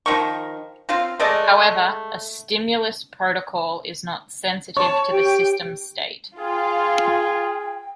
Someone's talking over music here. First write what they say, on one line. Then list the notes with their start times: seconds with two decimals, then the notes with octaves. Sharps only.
However a stimulus protocol is not sensitive to the system state.
0.06 D#3 F3 A#4 C#6
0.89 C4 F4 F5
1.19 G#3 A3 D5 D#5
4.77 C#5 A5
5.12 G4 G5
6.38 F4 G#4 G5